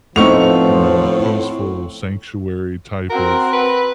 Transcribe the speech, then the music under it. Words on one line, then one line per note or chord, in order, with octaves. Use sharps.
you know, a peaceful sanctuary type of,
A2 F3 A3 B3 C4 D#4 C#6 F7
C4 F#4 A#4
B4